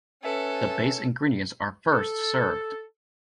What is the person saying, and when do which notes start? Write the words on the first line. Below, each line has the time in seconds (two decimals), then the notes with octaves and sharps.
The base ingredients are first served.
0.24 C#4 A4 B4 E5 G#5
1.92 A4